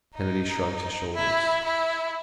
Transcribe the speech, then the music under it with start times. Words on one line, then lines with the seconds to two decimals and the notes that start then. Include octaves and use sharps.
Kennedy shrugged his shoulders.
0.15 D#4
1.14 E4
1.65 E4